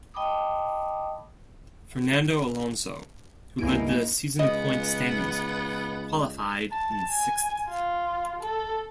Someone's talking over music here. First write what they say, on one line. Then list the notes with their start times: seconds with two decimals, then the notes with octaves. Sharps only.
Fernando Alonso, who led the season point standings, qualified in sixth.
0.14 D#5 G5 A5 B5 D6 D#6
3.59 C#2 G2 A#3 D#4 E4 G#5 D7
4.39 C#2 B3 D#5
6.71 A5
7.09 G#5
7.68 F4
8.41 A4